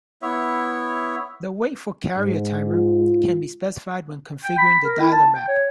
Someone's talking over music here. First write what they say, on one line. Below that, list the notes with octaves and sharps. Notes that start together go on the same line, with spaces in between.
The wait-for-carrier timer can be specified when configuring the dialer map.
B3 E4 C#5 E5
G#2
F4
G5
B5
A#4
E4
A5
G5
C#5